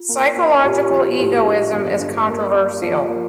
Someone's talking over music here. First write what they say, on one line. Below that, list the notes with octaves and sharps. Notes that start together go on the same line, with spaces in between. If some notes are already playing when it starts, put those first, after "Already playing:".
Psychological egoism is controversial.
Already playing: F4
A#3
A#3
A#2 G4
F4
G4
F3
A2 G4
D4
G1
G2
A#3
A#3
F3
A#3